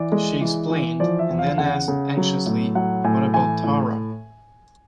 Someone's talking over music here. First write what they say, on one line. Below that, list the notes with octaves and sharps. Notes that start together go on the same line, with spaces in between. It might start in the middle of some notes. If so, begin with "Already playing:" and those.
She explained; and then asked anxiously, "What about Tara?"
Already playing: E3 D5
G#3
E3
E3
F3 D5
E5
E2
F5
C#3 F#5
C#3
F#3
A2
F#3 F#5
A2 G#5
E3 G#5
A2